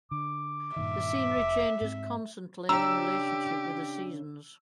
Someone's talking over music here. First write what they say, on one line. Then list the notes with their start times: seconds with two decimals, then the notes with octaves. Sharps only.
The scenery changes constantly in relationship with the seasons.
0.11 D3 D6
0.76 G2 A#2 D#3 E5
1.35 F1
1.81 G#2 C4
2.69 C#3 D4 G4 A#5 E6